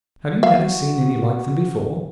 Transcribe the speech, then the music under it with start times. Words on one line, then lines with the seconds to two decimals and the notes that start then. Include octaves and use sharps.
"Have you never seen any like them before?"
0.43 F#4 E5 F5